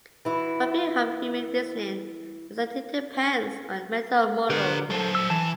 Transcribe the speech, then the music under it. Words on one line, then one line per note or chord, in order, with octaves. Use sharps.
One view of human reasoning is that it depends on mental models.
E3 E4 F#4
D3 G4 A#4 B4 A#5
F#3 A4 C5
E6
E3 A5